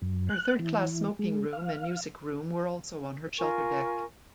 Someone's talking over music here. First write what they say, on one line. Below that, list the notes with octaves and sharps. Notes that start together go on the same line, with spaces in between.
Her third class smoking room and music room were also on her shelter deck.
F#2
F#6
E3
G#3
F5
F4 A#4 G#5 C#6